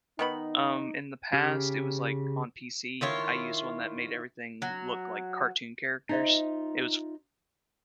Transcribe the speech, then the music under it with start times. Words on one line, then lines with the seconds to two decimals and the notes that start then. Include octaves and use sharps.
um, in the past, it was, like, on PC. I used one that made everything look like cartoon characters. It was
0.19 D#3 B3 D#4 B5
1.33 C#3 G4 F6
3.01 D#3 E4 F4 C#5
4.62 F#3
6.09 D#4 F4 C5 D#5 E5